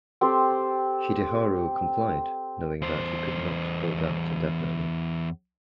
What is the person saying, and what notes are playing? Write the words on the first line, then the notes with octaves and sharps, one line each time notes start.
Hideharu complied knowing that he could not hold out indefinitely.
C4 G4 A4 C5
E2 C5